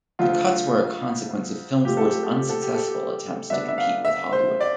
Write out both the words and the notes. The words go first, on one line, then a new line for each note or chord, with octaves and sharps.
The cuts were a consequence of FilmFour's unsuccessful attempts to compete with Hollywood.
D2 D3 F3 F4
C3 F3 A3 C4 G4
A4
G4
A4
G4
A4
G4
A4
G4
D3 G3 B3 D4 E5
E5
F5
E5
C5
D5